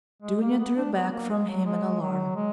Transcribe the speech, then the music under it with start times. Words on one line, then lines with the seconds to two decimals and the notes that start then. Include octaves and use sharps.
Dounia drew back from him in alarm.
0.22 G#3
0.41 A#3
0.59 B3
0.77 D4
0.93 B3
1.12 A#3
1.30 G#3
1.48 F#3
1.65 G#3
2.01 F#3
2.36 G#3